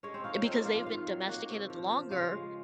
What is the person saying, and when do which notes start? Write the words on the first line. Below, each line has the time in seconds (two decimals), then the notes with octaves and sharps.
because they've been domesticated longer,
0.03 G#3 C#4 C#5
0.14 C4 C5
0.24 D#4 F4 F5
0.35 C#4 C#5
0.45 C4 D#4 C5
0.55 A#3 A#4
0.65 F3 F4 F5
0.76 F4 F5
0.86 D#3 F4 F5
1.07 F#3
1.27 A#3 F#4 F#5
1.49 C3
1.70 F3
1.91 F3
2.10 C#3 F4 F5
2.31 G#3